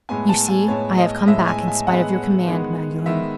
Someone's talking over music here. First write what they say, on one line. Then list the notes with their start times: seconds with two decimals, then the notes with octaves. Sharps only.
"You see I have come back in spite of your command, Magdalen."
0.09 A2 G#3 B3 G#5
0.29 A5
0.49 G#5
0.68 A2 G#3 B3 C#5
0.98 D#5
1.28 A2 G#3 B3 E5
1.48 G#5
1.68 G#5
1.87 A2 G#3 B3 F#5
2.46 D#3 G#3 B3
3.06 D#3 G#3 B3 E5